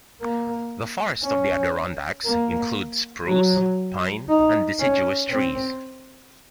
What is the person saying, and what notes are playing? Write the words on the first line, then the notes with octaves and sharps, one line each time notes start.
The forests of the Adirondacks include spruce, pine and deciduous trees.
A#3
C#4
A#3
F#3
D#4
C#4
C4